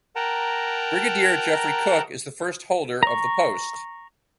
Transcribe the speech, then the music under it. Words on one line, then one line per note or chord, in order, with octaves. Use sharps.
Brigadier Jeffrey Cook is the first holder of the post.
A#4 F#5 G5 A5 A#5
A#5 C#6